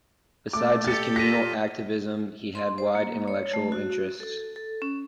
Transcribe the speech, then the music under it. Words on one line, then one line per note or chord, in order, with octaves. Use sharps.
Besides his communal activism, he had wide intellectual interests.
A3 D6
G4 A4 A6 C#7
F4 A#6 B6 D#7
C6
C5
A#3
C#5
A3
F#4
A4
A4
C#4